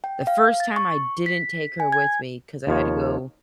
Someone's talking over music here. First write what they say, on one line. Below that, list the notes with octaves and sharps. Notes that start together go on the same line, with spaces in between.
The first time I didn't take her with me 'cause I had to go,
G5
F5
A6
C#6
B6
G#5
G#6
D#2 F3 C#5